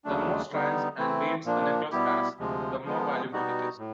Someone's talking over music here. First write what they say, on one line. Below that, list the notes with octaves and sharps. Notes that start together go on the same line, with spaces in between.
The more strands and beads a necklace has, the more valuable it is.
D#2 C#3 F#3 A3 D4
D3 G3 B3 D#4
E3 A3 C4 E4
A#2 F3 A#3 D4
B2 G3 B3 E4 G4
D2 C3 F3 G#3
F3 G#3 B3
B2 G3 B3 D#4 F#4
A2